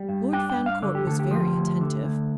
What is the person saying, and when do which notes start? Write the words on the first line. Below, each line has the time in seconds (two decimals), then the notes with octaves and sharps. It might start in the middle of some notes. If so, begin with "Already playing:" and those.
Lord Fancourt was very attentive.
Already playing: G3
0.09 G2
0.33 D4 G5
0.50 G5
0.57 G2
0.66 F5
0.82 D3 D5
0.95 G4
1.07 D2 A4
1.19 G4
1.31 F3
1.56 D2
1.81 D3
2.04 D2